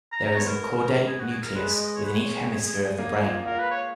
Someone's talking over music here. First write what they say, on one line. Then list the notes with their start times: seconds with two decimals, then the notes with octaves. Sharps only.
There is a caudate nucleus within each hemisphere of the brain.
0.12 A#5
0.24 A#5
0.35 B3 C#5
0.47 A#4
1.07 G#4
1.19 F#4
1.31 G#4
1.43 A#4
1.55 G#3 B4
1.71 D#5
1.86 D#5
1.96 C#5
2.04 B4
2.13 C#5
2.51 G#4
2.67 G#4
2.83 G#4
2.99 A#3
3.22 F4
3.46 F4 A#4
3.59 B4
3.71 C#5